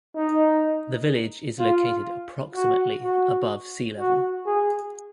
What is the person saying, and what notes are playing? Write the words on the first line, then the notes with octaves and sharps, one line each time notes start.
The village is located approximately above sea level.
D#4
F4
F#4
F#4
F#4
G#4